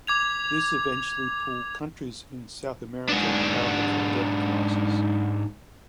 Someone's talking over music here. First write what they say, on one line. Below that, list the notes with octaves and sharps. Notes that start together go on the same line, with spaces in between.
This eventually pulled countries in South America out of the debt crisis.
D6 G#6 F7
G#2 D4